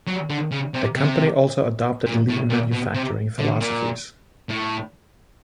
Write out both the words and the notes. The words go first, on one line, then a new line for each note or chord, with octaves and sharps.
The company also adopted lean manufacturing philosophies.
F#3
D3
C#3
C3
C3
A#2
A2
A#2
B2
C3
D3
A#2
A2